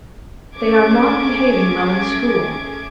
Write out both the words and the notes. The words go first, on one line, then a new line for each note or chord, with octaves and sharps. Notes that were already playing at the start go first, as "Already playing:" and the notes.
"They are not behaving well in school."
A3 C#4 G#4 D6 G#6